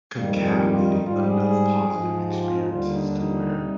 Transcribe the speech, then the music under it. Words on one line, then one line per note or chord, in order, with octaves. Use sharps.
concatenating enough positive experiences to where
F2 D#3 G3 A#3
C4
G#4
G4
F4
D#4
G#2 G3 F4
G4
G#4
G#4
G#2 F3 G#3
G4
F4
D#4
D#2 D3 G3 F4
D#4
D4
D#4
C3 G3